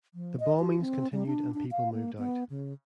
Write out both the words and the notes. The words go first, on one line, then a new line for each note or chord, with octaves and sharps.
The bombings continued and people moved out.
F3
D#5
F#4
C4
G3
D4
D4
F5
A#3
B3
C#3